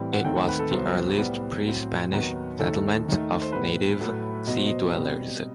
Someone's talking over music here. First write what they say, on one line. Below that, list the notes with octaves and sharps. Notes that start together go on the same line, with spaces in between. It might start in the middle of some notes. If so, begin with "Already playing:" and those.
It was the earliest pre-Spanish settlement of native sea dwellers.
Already playing: A2 E3 G3 C4
F#5
D#2 D#3 A3 C4 G5
F#5
B4
A4
C2 C3 F#3 B3 C5
A2 G3 B3
A2 F#3 C4
D#2 D#3 F#3 B3
D#2 D#3 A3 A4
D#2 D#3 A3
C5
A2 G3 B3 B4
A2 F#3 A3
B2 F#3 B3 D#5
C5
D#5
B2 G3 C4